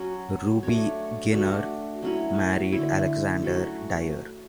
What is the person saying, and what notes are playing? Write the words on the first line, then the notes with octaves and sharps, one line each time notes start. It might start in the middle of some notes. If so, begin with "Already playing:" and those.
Ruby Ginner married Alexander Dyer.
Already playing: F#3 C#4 F#4
A3 D4 F#4 C#5
A3 D4 F#4
F#3 C#4 E4
D3 A3 E4
F#3 A3 C#4 F#4